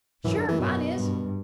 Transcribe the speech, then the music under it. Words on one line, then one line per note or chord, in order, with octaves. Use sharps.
"Sure; mine is."
F#2 E3
D3
E3
F#2 B2
G2